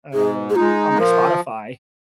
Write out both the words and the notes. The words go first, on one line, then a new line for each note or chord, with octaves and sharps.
um, on my Spotify,
G#2 G#4
G#4
G#3 D#4 F4
F3 A#4